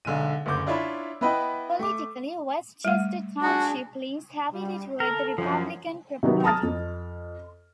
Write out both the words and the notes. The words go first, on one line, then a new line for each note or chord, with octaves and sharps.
Politically, West Chester Township leans heavily toward the Republican Party.
B1 D3 G#3 D#7
F#1 D2 D3 D6 G6
D4 E4 F4 C#5 E5 B5
B3 E4 B4 D#5 G5
A3 D6
G3 A3
D4 F#4 G#4 A5
G3
A4 A#4
F#2 F3
C3 D#3 F#3 B3
A5 A#5 D#6 F6 A6
F2